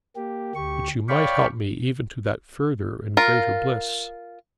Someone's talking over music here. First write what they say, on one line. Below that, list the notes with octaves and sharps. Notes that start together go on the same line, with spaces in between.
But you might help me even to that further and greater bliss.
A#3 G4
D2 G4 C#6
C#5 D5 F5 G5 B5 C#6
F4 A#4